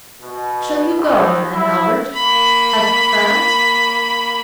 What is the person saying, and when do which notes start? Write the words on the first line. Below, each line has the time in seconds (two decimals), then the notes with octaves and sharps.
"Shall you go, then, Albert?" asked Franz.
0.21 B2
0.97 D#2
1.54 E4
2.13 A#3 B5